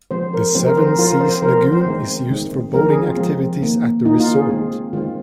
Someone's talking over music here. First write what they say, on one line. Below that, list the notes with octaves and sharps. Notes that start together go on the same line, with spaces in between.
The Seven Seas Lagoon is used for boating activities at the resort.
F3 G#3 C4 C5
A#4
F3 G#3 C4 C5
A#4
C5
A#4
F3 C4 F4
A#4
C5
C5
F3 C4 A#4
C5
C5
D#3 G#3 C4
D#3 G#3 C4
F3 G#3 C4 A#4
G#4
F4
F3 G#3 C4
D#3 A#3
D#3 A#3 D#4
F4
G#4
D#3 G#3 C4
D#3 G#3 C4 F4